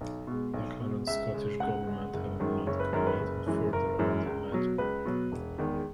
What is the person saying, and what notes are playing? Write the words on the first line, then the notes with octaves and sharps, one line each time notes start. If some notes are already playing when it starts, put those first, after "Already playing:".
The current Scottish Government have not commented further on the matter.
B1
B2 G#3
B1
B2 G#3
C#2 E5
C#3 G#3
C#2 F#5
C#3 G#3
F#1
F#2 D#3 G#3
F#1 C#5
B4
F#2 D#3 G#3 A#4
B4
F#1
F#2 E3 G#3
F#1 A#4
F#2 E3 G#3
C#2
B2 F#3
C#2 B4
B2 F#3
E1
E2 D#3 G#3